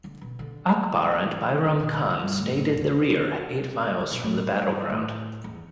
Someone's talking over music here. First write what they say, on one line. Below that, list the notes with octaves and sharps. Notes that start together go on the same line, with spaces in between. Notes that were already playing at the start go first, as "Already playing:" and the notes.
Akbar and Bairam Khan stayed in the rear, eight miles from the battleground.
D3
B2
D3
E3
D3
B2
D3
D3
G2
A2
A2
E2
D3
B2
A2
G2
A2
E2